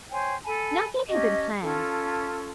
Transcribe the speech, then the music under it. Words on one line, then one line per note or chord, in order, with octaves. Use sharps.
Nothing had been planned.
C5 C#5 G5 G#5
A4 G#5 A5 B5
C#4 G4 D#5 A5
C#4 F4 A4 A5